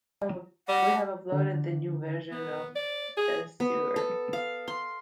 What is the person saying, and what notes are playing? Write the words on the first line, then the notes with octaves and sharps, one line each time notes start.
We have uploaded the new version to the Dev server.
G3 F#5
D3
B3
D5
G#4
B3
A4
F5
C6